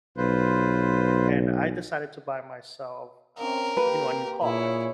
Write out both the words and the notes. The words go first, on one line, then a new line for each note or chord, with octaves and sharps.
and I decided to buy myself, uh, you know, a new car,
B1 F4 B4 C5
C4 C#4 A#4
A#3 G4 B4
A#2 E4 G#4 C#5